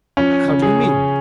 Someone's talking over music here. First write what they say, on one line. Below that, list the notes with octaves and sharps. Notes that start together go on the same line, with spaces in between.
"How do you mean?"
F3 C#4
C#3
G#4
C#3